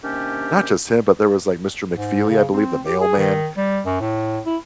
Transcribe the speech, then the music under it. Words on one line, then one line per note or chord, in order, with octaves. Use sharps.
not just him, but there was, like, Mr. McFeely, I believe, the mailman,
C3 D#3 A#3 C#4 D4 G4
G#2
C#3
C4
G4
G#4
D#3
G3
F#2
A2
E4